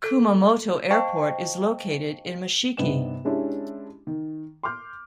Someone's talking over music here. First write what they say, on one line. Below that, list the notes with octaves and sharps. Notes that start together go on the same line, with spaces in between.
Kumamoto Airport is located in Mashiki.
A4
C5 D#5 F5 G5 A5 C#6
G2 C3 B3 D#4 E7
G#3 C#4 D4 E4 G4
D#3
C6 D6 F6 G6